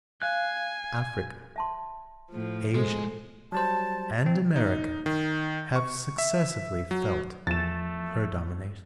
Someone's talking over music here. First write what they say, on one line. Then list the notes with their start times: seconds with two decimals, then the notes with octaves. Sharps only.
Africa, Asia, and America, have successively felt her domination.
0.22 F5 G#5 F#6
1.56 E5 A5 C6
2.32 A2 F3
2.75 G#3 A4 C5
3.52 F#3 G3 C5 A5
4.26 C4
4.56 D#4
5.06 D#3
5.76 C#6
6.18 E5
6.91 F#3
7.47 E2 F3 A3 A6 E7